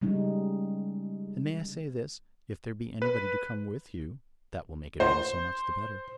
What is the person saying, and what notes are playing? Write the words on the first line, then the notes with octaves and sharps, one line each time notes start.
And may I say this? If there be anybody to come with you, that will make it only so much the better.
C#3 G3 G#3 C#4 D#4
B4
C5